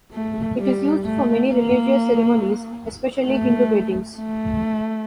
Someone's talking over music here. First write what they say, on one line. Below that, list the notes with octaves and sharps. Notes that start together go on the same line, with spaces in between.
It is used for many religious ceremonies, especially Hindu weddings.
A3
G3
A3
A#3
A3
A3